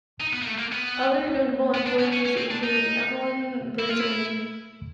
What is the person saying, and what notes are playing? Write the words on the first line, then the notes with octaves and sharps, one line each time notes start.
Other notable employees included Evelyn Berezin.
D#4
B3
A#3
A3
A#3
B3
B3
D4
C#4
C#4
C#4
C4
D4
D#4
E4
F4
E4